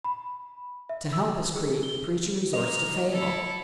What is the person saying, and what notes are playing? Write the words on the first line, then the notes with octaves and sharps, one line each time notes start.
To help his creed, the preacher resorts to fable.
B5
E5
E6
G#4
G7
A#3 D#5 F7
E4 A4